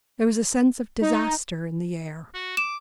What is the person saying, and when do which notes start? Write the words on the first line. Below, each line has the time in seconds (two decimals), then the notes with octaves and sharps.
There was a sense of disaster in the air.
1.01 D#4
2.34 F#4
2.57 D6 E7